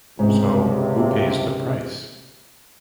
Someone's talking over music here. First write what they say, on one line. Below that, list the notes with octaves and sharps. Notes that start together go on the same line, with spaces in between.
So who pays the price?
C#2 G#2 C3